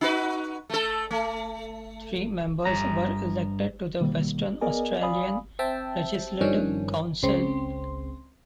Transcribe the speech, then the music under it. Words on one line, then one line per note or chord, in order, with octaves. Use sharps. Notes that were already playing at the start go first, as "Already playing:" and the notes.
Three members were elected to the Western Australian Legislative Council.
D#4 F#4 B4
A3 A4
A3
G2 A#5
B2 D#3 G3 A#3
B3 G#4 A#4 D5 D#5 G#5
D5 F5 G#5 B5 D#6
C4 E5 G5 A5
G2 D#3 F3 C#4 D4
C#2 C#3 C4 C6